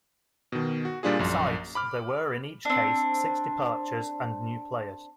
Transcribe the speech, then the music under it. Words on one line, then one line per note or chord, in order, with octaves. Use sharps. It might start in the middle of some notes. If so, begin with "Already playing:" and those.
Besides, there were in each case six departures and new players.
B2 D#3
F#4
A#2 G3 D4 F4 G#4
A#1 F#2
B5 D6 F6
C4 D4